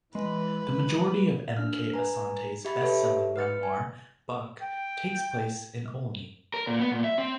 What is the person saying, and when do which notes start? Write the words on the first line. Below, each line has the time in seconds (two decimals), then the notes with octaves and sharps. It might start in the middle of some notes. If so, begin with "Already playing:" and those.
The majority of M. K. Asante's bestselling memoir Buck takes place in Olney.
0.15 E3 G#3 B4
1.57 D4 F6
1.94 B4 G#5 A#5
2.65 G4 E5 B5 A6
2.81 G4 A4 B4 C#5 E5
3.36 B4 F6 A6 C#7
3.63 G#5
4.62 G5
6.54 A#4
6.67 A#2
6.80 B3
6.92 A#2
7.04 E5
7.18 C4